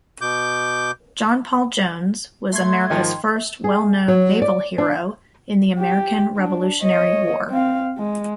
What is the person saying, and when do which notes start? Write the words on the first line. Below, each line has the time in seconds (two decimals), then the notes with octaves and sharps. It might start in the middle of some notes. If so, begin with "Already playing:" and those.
John Paul Jones was America's first well-known naval hero in the American Revolutionary War.
0.21 B2 D6 G6
2.52 A3 C6 G#6
2.90 G#2 D#3 F3 D#5 G5 A5
3.64 G#4
4.08 F#3
4.42 D5
4.78 D4
5.79 G4
6.37 D4
6.83 C#5 D#5
7.50 C4 F5
7.98 G#3